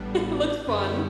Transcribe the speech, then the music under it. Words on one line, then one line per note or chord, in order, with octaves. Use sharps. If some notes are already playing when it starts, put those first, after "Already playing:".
looks fun
Already playing: A1 A2 G3 B3 D4
F#2 D3 G3 B3 C#4
E4